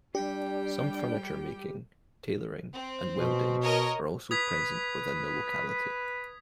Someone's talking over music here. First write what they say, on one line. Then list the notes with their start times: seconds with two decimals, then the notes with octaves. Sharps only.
Some furniture making, tailoring and welding are also present within the locality.
0.15 G3 D4 G4 G5
2.73 C4
3.16 B2
3.63 A#4 C#5 D#5
4.31 B4 D#6 G#6 B6